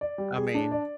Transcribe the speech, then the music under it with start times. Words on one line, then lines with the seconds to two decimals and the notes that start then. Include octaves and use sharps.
I mean
0.01 D5
0.18 G3
0.36 G#4
0.55 D4
0.72 D5